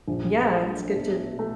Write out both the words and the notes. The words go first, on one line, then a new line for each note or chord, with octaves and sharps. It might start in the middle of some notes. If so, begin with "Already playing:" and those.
Yeah, it's good to
A#1
A3
B2
A3